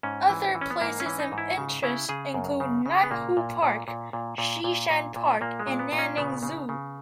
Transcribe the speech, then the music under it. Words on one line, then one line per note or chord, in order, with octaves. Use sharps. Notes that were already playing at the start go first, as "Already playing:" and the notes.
Other places of interest include Nanhu Park, Shishan Park and Nanning Zoo.
G#2 C#4
E3
E3
C#4
B3
G#2 A#3
C#4
E3
D#4
G#2
E4
C#3
C#3 E4
C#3 G#4
F#2
C#3
C#3
B3
A#2 A#3
A#2
A#2
A#2
A#2
A#2
A#2
A#2
A#2
A#2 A#3
G#3
A#2
B3
A#2
C#4
C#3 B3
C#3
C#3